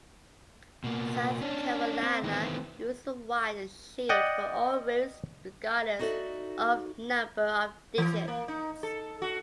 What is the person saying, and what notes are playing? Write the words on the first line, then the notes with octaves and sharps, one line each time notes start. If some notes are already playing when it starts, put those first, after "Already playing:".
South Carolina uses a wide shield for all routes, regardless of number of digits.
B2 A#3
C#4 D4
C4
D#3 E3 A3 B3 C4
D5 D#5 F#5 G5
D#4 F#4 A4 C5 D5 E5
E3
A#3
D#4
A4
F#4